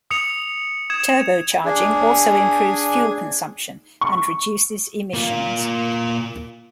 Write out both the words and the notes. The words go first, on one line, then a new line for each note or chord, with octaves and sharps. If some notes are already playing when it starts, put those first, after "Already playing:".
Turbocharging also improves fuel consumption and reduces emissions.
D#6 C#7 F7
D#6 G#6 E7
D4 G#4 G#5
C#6
A#3 F4